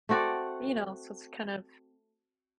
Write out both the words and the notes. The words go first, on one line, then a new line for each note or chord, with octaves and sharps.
You know, so it's kind of
A3 C4 F#4 D5